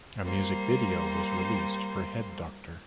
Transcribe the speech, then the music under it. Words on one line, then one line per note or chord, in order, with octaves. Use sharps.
A music video was released for Head Doctor.
G3 A#3 C5